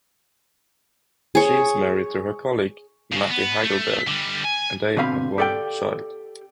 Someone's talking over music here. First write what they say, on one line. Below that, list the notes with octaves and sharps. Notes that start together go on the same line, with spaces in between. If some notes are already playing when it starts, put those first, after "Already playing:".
She is married to her colleague, Matti Hagelberg, and they have one child.
G#4 C#5
C#3 F#3
B3
A3
D3 G3
G#5
B2 D3 C4 F5 B5
G4 A4 D5 F5 G5